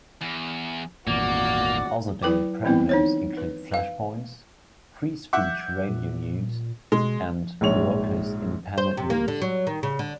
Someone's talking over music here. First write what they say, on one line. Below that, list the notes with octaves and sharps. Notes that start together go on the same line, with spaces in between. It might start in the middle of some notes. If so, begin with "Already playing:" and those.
Other daily programs include Flashpoints, Free Speech Radio News, and Workers Independent News.
E2
G#1 E2 A#2 A#3 F#4 D5
F#3 E4 B4 G5 D6
E3 G3 B3 C4 E4 B4
D#4 C5 C#5
B4
B4 F5
E5 F#5 D6 G6
A#2
B2 G#3
A#1 G#2 C#5 F7
C5
C3
A#3
D3
F#3
D#3
C#3
D3